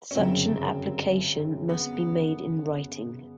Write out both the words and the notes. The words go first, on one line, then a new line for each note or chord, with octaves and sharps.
Such an application must be made in writing.
C#4
G1 F#2 C#3 F#3 C4
B3